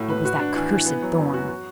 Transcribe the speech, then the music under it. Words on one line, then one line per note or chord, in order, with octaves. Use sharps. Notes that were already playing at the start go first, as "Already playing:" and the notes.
"It was that cursed Thorn."
Already playing: A2 A3 F#4
B4
F#4
D4
E3
E3
B3
F#3
F#2
F#4
F#4